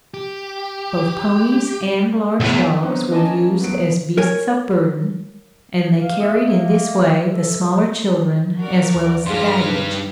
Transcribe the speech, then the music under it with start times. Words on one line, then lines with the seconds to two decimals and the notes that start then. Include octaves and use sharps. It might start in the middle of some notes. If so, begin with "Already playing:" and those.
Both ponies and large dogs were used as beasts of burden, and they carried in this way the smaller children as well as the baggage.
0.14 G4
2.40 B1 E2 A3
2.82 D3 F#3 B3 C4 D#4
3.11 E3 A#3 C#4 D#5 G#5 A5
3.61 G#1 F#3 A3 B3 D7
4.17 A#4 C#5 G#5
6.00 F5
6.20 A#3 D#5 E5
6.38 A#3
7.30 A4
8.60 F#4 A#4 D5
8.94 D#2
9.26 G2 G#4 F5 C6 F6 A#6 B6
9.65 D4 D#4 B4